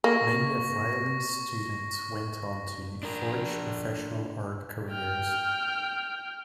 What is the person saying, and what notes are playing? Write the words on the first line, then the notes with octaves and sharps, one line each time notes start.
Many of Reilly's students went on to forge professional art careers.
A#3 C#6 A#6
D4 A#4
G5 F6